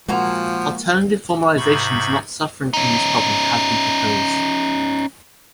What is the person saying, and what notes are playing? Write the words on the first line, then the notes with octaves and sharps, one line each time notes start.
Alternative formalizations not suffering from this problem have been proposed.
A#2 F3 G#3 A#3 F#4 A#5
G#2 C3 B5 C#6
C#4 D#4